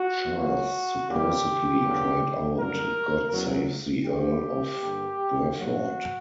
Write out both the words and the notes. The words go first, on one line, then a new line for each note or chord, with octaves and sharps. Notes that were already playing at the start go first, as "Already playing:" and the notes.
Charles supposedly cried out God save the Earl of Burford!
Already playing: F#4
C#2 C#3 F#3 A#3 F#4
E2 C#3 E3 G3 A#3 G4
E2 D3 F#3 A#3
F#2 D3 G3 A#3 A#4
E2 C#3 F#3
E2 C#3 E3 G3 G4
G2 D3 A#3
G2 F#3 A#3 F#4